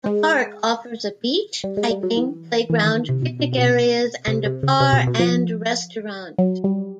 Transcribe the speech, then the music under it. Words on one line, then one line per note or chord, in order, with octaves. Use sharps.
The park offers a beach, hiking, playground, picnic areas and a bar and restaurant.
G#3
G3
G#3
G3
F#3
E3
E3
D#3
C3
B2
B2
C3
B2
C3
C3
C#3
C3
B2
B2
F3
F#3
G3